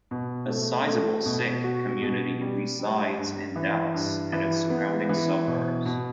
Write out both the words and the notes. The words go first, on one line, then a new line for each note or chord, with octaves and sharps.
A sizable Sikh community resides in Dallas and its surrounding suburbs.
B2
A3
A3
B2
F#4
B2
G3
G3
G2
E3
G2
E3
B3
E3
B2
B2